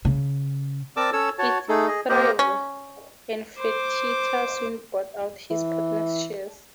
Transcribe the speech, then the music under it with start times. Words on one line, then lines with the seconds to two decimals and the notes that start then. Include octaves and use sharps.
It thrived, and Fertitta soon bought out his partners' shares.
0.05 C#3
0.97 C4 A#4 D5 A5 D6 E6
1.13 C#4 A4 C#5 E6
1.38 F#4 C#5 A5
1.69 A3 D#4 G#4 A4
1.88 G#4 D#5
2.09 A#3 G4 A#4 C5 D#5
2.39 C#4
3.59 C5 D6
5.50 E3